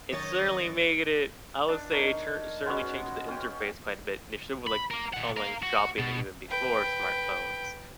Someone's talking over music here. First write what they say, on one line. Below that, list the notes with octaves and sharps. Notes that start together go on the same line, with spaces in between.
it certainly made it I would say, it tur certainly changed the interface quite a bit initially with, like, online shopping even before smartphones.
F#2 D#3 D#4 C#5 D#5 A6
D4 D5
D4 D#4 A#4 C#5
G#3 B3 C#4 F#4
C#4 G5
B5
A#3 A#4
A#2 F#5
A#4 F5
F#4
B2
B4 G5